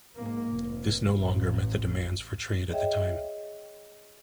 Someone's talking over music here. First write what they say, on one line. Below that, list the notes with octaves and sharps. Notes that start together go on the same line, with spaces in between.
This no longer met the demands for trade at the time.
G#2 A#3
F1
A1
G#4 C#5 D#5 E5 G5